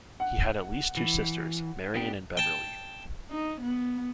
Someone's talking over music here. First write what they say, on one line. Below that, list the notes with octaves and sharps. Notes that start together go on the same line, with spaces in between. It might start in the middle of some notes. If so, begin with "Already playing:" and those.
He had at least two sisters, Marian and Beverly.
F#5
E3
B3 D4 G4
G5 A5
D#4
B3